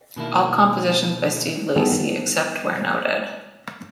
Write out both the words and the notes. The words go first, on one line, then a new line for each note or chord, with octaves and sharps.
All compositions by Steve Lacy except where noted.
B2 D#3 A#3 E4
D#3 G3 B3 G#4 A4